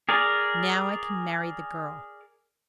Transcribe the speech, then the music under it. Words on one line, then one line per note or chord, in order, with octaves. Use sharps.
"Now I can marry the girl."
G#4 A#4 D5